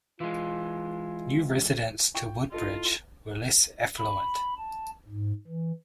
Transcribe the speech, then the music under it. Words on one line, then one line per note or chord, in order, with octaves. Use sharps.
New residents to Woodbridge were less affluent.
E3 G#3 F4
F4 G5 C#6
E4 F4 A4 D#5
B5
A5
G#2
E3